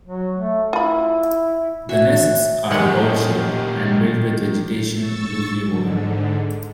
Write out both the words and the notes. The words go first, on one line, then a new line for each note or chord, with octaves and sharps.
The nests are bowl-shaped and built with vegetation loosely woven.
F#3
A3
E4 F4 B5
F#4 E5 G#5
F#2 A#2 D#3 G#3 C#4 G4 F#5
C#6 E6 A6
G#2 D3